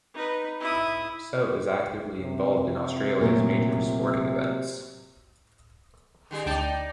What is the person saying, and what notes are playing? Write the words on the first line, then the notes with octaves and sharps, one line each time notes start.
So is actively involved in Australia's major sporting events.
D#4 B4
E4 D#6
C3
A#2 F#3 A3
D#3 G3 G#4
D2 D#4 D5 G5 A5